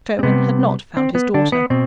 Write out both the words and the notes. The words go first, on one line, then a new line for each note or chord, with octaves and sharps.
Sherwin had not found his daughter.
C4
C3 G3 B3
C4
B3
D3 D4
B3
B2 C4